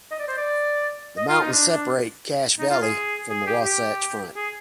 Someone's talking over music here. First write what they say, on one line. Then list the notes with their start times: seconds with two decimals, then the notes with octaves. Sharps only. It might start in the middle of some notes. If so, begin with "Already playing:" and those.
The mountains separate Cache Valley from the Wasatch Front.
0.11 D#5
0.19 D5
0.28 C5
0.37 D5
1.17 D#5
1.28 F4
1.40 D#4
1.52 D4
1.70 D4
2.59 D#4
2.70 F4
2.82 G#4
3.30 G#4
3.46 G4
3.65 G4
4.36 G#4